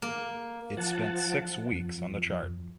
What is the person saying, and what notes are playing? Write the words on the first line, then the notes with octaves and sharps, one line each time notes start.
It spent six weeks on the chart.
A#3
F3 F#5 A5
F2